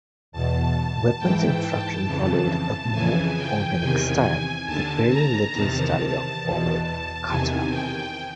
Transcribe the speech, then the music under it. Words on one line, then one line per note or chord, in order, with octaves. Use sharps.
Weapons instruction followed a more organic style, with very little study of formal kata.
E2 B2 A5
G#2 E3 G5
A5
F2 C#3 E3
F2 C#3 E3 G#5
G5
E2 C3 D#3 G#5
D#2 D3 A5
A#5
E2 C3 D#3 A5
A5
E2 B2 A5
E2 C3 D#3 G#5
G5